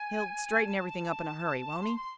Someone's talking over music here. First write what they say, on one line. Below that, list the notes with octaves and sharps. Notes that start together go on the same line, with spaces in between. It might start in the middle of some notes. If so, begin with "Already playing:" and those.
"He'll straighten everything up in a hurry, won't he?"
Already playing: G#5
A5
C6
C6